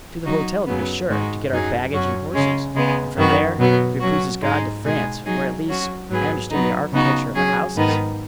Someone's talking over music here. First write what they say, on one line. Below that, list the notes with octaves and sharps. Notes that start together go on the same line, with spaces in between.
"To the hotel, to be sure, to get our baggage and horses; and from there, if it please God, to France, where, at least, I understand the architecture of the houses."
F#3 D#4 F#4
F#2 C#3 F#3 B3
G#2 D#3 G#3 D#4 F#4
F#2 F#3 D#4 G#4
F#2 F#3 C#4 F#4
C#3 G#3 C#4
C#3 G#3 B3
F#2 D#3 B3 F#4
B2 F#3 B3
F#3 C#4 F#4
G#2 G#3 D#4
B2 G#3 D#4 G#4
F#3 D#4 G#4
F#3 C#4 F#4
G#2 F#3 B3 G#4
F#3 B3 D#4
C#3 B3 D#4 F#4
F#3 C#4 G#4
G#2 D#3 B3 D#4